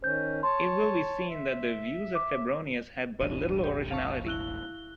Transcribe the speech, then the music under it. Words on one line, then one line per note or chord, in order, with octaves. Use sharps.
It will be seen that the views of Febronius had but little originality.
D#3 C#4 C5 G6
C#5 A5 C6
E5
D6
E1 A1 D4 D#7
G4
F5 A5 C#6
E4 F#6 G7